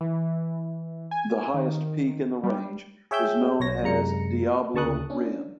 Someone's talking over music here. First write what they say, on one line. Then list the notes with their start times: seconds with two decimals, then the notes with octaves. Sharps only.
The highest peak in the range is known as Diablo Rim.
0.01 E3
1.11 G#5
1.54 D#3
2.43 G3
3.11 G#4 C#5 E5 G5 E6 G6
3.60 B1 C#5 A#6
3.83 F#2 C3 G#3 A#5 C#7
4.74 D2 C#3 A5 C#6 D#6 F#6
5.10 C#4 D4